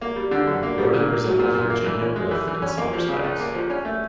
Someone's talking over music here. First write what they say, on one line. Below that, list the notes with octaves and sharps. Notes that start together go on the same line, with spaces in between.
Rhoda resembles Virginia Woolf in some respects.
A#3
G3
D3
F#2
A#3
G3
A#2
A#3
F#3
A#2
A#2
A#3
E3
C#4
G#3
E3
E3
C#4
A#3
F3
C#3
C#2
A#3
F3
C#4
A3